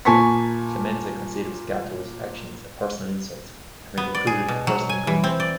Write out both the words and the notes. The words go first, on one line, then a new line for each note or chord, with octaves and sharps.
Clemenza considers Gatto's actions a personal insult, having recruited and personally groomed him.
A#2 A#3 G#5 A5 C#6 B6
B3
D5
G#4
B2
F#3
G#5
E3
C4
D5